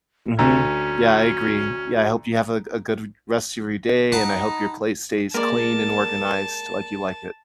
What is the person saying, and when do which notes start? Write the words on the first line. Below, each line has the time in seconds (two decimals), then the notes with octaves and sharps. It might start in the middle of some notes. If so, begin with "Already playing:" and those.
Mhm. Yeah, I agree. Yeah, I hope you have a g a good v rest of your day, and I hope your place stays clean and organized like you like it.
0.39 D2 C#4 F#4 A#5
4.12 D#4 F#5 A5 B5
5.34 G#3 A#3 A#4 D5 A5